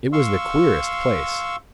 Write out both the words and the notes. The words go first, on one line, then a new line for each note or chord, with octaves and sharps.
It was the queerest place!
F5 C6 C#6 E6